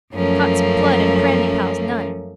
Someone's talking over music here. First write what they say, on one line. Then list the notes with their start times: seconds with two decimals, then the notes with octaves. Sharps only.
Cot's plood and prandypalls, none!
0.13 F#2 F3 A3 A#3 C#4